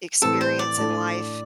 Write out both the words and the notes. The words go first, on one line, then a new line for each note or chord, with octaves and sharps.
experience in life
A2 E3 C4 A4
C5
D5
A2 A3 D4